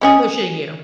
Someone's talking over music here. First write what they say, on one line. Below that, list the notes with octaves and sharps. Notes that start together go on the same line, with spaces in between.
Pushing you.
G#3 C#4 G#4